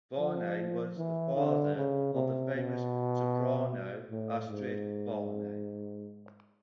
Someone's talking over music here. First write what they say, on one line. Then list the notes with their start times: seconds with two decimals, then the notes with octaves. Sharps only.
Varnay was the father of the famous soprano Astrid Varnay.
0.19 F3
0.97 E3
1.37 D3
1.76 C#3
2.15 C3
2.54 B2
4.10 A2
4.49 G#2